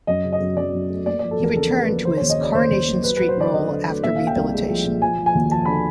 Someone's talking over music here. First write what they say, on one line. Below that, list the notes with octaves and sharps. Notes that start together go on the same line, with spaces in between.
He returned to his "Coronation Street" role after rehabilitation.
F#2 D#5
C#3
D#5
F#2
F#2 D5
F#2
A3
A#3 D5
F3 D5
A4
E2 A#4
C#3 A4
A#3
B4
F3
C#3 C5
D#2 C#5
D#5
C#3 D5
D#2 C5
D#2
A#3
F#3 B4
F#3 B4
C5
D3 D5
D3 D#5
D3
A3
A#2 E5
A#2 F5
G5
C2
G#3
F3
A#2
F3 G#5
F3
G#5
D#2
F3 A5
D3 B5